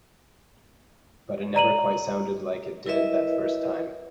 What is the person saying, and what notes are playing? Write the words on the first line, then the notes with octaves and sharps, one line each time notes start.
But it never quite sounded like it did that first time.
D5 A#5 D#7 F#7
E4 A#4 B4 D#5 E5